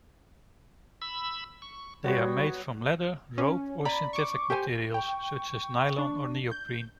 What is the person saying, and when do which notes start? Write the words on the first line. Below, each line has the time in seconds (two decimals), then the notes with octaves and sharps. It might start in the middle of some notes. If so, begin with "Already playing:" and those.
They are made from leather, rope, or synthetic materials such as nylon or Neoprene.
1.02 B5 E6
1.62 C#6
2.04 F#3 G3 B3 C#5
3.38 C#4
3.85 D5 A#5 B5
4.13 C#6 D6
4.50 G4 C5 G#5
4.94 G5 C#6
5.98 D4
6.51 G6